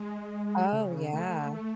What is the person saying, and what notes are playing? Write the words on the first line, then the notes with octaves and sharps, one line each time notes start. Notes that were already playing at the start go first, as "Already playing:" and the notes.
Oh, yeah.
Already playing: G#3
C#3
A3
A3